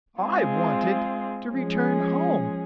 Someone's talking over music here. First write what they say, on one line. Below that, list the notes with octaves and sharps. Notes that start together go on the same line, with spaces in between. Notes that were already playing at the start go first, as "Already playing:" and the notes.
I wanted to return home.
G#3 C4 F4 G#4
F3 G#3 C#4 G#4